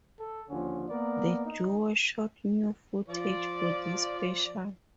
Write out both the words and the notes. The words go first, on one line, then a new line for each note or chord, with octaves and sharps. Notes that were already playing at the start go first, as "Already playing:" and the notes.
The duo shot new footage for this special.
A4
D#2 D3 F3 C#4
A#3 B3 A#4 D5
D#4
F3 D5